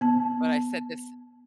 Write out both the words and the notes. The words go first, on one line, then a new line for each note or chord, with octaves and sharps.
But I said this
B3 A5